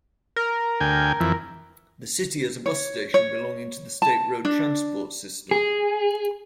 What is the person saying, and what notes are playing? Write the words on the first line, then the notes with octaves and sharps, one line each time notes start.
The city has a bus station belonging to the State Road Transport System.
A#4
D2 G5 G#5
F2 E3
C#5
C#5
A5
D4
G#4